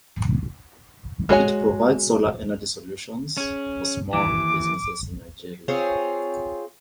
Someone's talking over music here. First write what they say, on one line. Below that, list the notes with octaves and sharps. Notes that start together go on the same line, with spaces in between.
It provides solar energy solutions for small businesses in Nigeria.
G#3 F#4 C#5 G#5
C#4 G#4
D#2 E3 D6
C4 F4 G#4 C#5